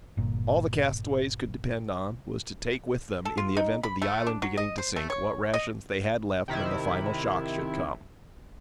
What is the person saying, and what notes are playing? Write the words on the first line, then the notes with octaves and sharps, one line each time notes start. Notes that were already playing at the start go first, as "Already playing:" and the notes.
All the castaways could depend on, was to take with them, in the event of the island beginning to sink, what rations they had left when the final shock should come.
G1 A#2
A4
F4
D#4
B5
A3
D4
F#3
D#5
C5
A3
C#5
D#5
C3 D#3 E4